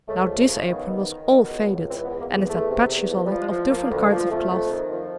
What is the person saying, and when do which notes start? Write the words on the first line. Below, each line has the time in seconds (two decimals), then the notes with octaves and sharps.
Now, this apron was all faded, and it had patches on it of different kinds of cloth.
0.07 C#2 A3
0.27 F3
0.46 C#3
0.67 D#3 B3
0.87 D#3
1.08 D#3
1.28 B2
1.48 C#2
1.67 C#2
1.88 E3 C4
2.02 B3
2.08 E2
2.18 A#3
2.28 E2 A#3
2.48 E2 A3
2.68 C3
2.88 E2
3.09 F3 A3
3.24 G3
3.29 F3
3.39 G#3
3.49 F3
3.69 F3 A#3
3.84 A#3
3.89 D2
3.99 G#3
4.10 F3
4.15 A#3
4.29 F2 A3
4.50 F2
4.69 D#3
4.90 F3